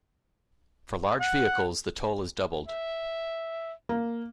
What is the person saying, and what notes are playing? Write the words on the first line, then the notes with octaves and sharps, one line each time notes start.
For large vehicles, the toll is doubled.
F#5
E5
A#3